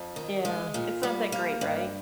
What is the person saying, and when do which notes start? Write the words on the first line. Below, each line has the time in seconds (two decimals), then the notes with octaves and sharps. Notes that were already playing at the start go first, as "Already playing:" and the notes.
Yeah. It's not that great, right?
Already playing: F2
0.16 D#3
0.45 G#3
0.74 A#2
1.03 G3
1.32 A#3
1.61 G2